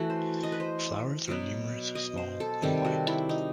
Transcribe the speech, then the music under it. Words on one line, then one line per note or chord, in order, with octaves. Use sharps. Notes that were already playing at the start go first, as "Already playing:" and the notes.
Flowers are numerous, small, and white.
Already playing: E3 A3 F#4
C5
D#5
B4
C5
B2 F#3 B3
D#5
C5
A4
C3 D#3 G3 A4
F#4
E4
D#4